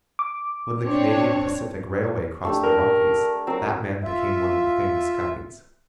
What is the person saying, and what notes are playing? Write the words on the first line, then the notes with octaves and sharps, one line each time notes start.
When the Canadian Pacific Railway crossed the Rockies, that man became one of the famous guides.
D6
C4 D4 C#5
A3 D4 G4
A#4
F#3 C4 A#4
F4 E5